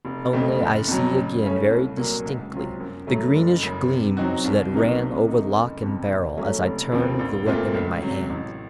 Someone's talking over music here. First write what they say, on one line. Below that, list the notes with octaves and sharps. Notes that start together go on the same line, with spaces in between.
Only I see again very distinctly the greenish gleams that ran over lock and barrel as I turned the weapon in my hand.
F1
F2 C#3 A3 C4
F#1
F2 C3 F#3
C#3
A3 C#4
C2
A#2 F#3 A#3
C#2
C3 F#3 C4 F4
F#2
C#3 F#3 A3
F#1
F#2 C#3
C3
F#3 C4 D#4 F#4
C2
C3 F#3 A#3 D#4
C3
D#3 A3 D#4
F#1
F2 C3
A#2
F#3 A3 C#4
F1
D#2 C#3 F3 C4
A#1
A#2 A3 C4 F4
C#2
C3 F#3
A1